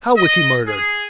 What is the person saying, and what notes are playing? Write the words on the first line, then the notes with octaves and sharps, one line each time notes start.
How was he murdered?
D#5
G#4